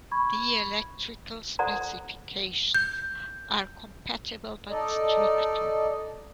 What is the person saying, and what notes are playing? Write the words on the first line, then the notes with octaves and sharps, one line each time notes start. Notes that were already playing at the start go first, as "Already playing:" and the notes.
The electrical specifications are compatible, but stricter.
B5 C#6 G#6
F4 A4 C5 D5 F#5 A#5
G6
D#4 A4 D5 D#5